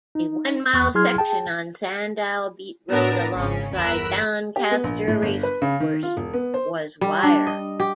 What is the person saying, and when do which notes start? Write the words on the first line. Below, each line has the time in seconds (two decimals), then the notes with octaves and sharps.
A one mile section on Sandall Beat Road alongside Doncaster Racecourse was wired.
0.15 D#4
0.74 E2 B3 C#6 F#6
0.94 F#3 E4 G#4 C6 F6 G#6
1.18 G#4 G5 A5
2.89 A2 B3 D4 A#4 A5 A#6
3.33 G#1 C#3 C#4
3.73 G1 E2 A#4 B5 E6 F#6
4.56 G4
4.71 B3
4.84 A#1
5.08 A2
5.22 G1
5.43 B4
5.62 C#3
5.80 D#3
6.03 F4
6.17 E1
6.33 B3
6.54 C5
7.01 G3
7.23 D4
7.47 D#5
7.80 G4